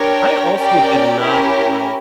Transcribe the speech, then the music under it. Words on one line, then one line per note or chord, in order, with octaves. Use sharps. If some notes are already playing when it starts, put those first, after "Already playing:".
I also did not like
Already playing: D4 G4 A#4 C#5 G5
C#4 G4 A#4 D5 G5
C#4 E4 G4 A#4